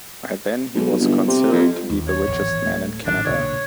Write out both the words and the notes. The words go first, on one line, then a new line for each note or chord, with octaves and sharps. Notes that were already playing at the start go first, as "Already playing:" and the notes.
By then he was considered to be the richest man in Canada.
B1
G1
C3
F2
D#2
C#5
D1 G#1 E2
D1 A3
G#1 A2 D#3 D4
B1 A#2 D3 C#5